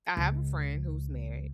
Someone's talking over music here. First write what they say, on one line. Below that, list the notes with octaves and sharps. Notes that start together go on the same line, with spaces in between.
I have a friend who's married
C#2